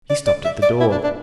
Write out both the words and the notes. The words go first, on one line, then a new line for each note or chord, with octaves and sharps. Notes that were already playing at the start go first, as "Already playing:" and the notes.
He stopped at the door.
D5
D5
E5
D5
E4
D4
D4